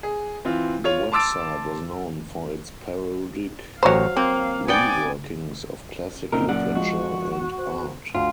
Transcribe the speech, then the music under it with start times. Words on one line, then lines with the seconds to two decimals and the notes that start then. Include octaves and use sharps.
The website was known for its parodic reworkings of classic literature and art.
0.03 G#4
0.45 E3 C4 F4
0.84 F4 C#5 F7
1.12 A5 C6 D6 E6 A6 D7
3.83 A1 F#3 C5 C#5 F5 A#5
4.17 A#3 C4
4.68 B3 D5 G5 G#5 D6 A6
6.32 A#2 C#3 C4 D#4 A#4
6.49 F#2 D5 F#5
6.75 F3 G#3 F#4 D#5
7.58 C5
8.15 D2 F4